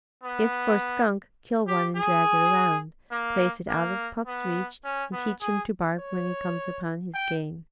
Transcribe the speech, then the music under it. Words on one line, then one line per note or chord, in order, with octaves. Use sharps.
If for skunk, kill one and drag it around, place it out of pup's reach, and teach him to bark when he comes upon his game.
B3
G4
G#4
A#3
A#3
B3
C#4
B3
G#4
C#5
G5